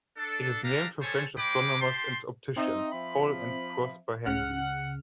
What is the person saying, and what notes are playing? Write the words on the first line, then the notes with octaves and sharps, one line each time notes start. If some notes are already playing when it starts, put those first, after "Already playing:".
It is named for French astronomers and opticians, Paul and Prosper Henry.
D4 A4
D4 G4 A4 F5 A#5
G3 A4 C5 C#5 G#5
G#3 C5 G5 B5 D6
G4 A5 C6
C4 D#4 C5 E5
F3 B5
C#2 C#3 F#5 F6